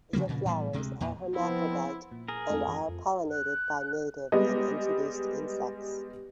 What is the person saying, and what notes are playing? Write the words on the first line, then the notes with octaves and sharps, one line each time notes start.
The flowers are hermaphrodite, and are pollinated by native and introduced insects.
C3 F3 G3 A#3
G2 A#2 C#3
A2 E3 G3 B3
D2 C3 G#3
E2 A#2
F3 B3 C4 E4
A#2
G#4 A#4
F2 G#3 A3 C4 F4 A4
F#2 E3
F2
F#6
G3 G#3 B3 D#5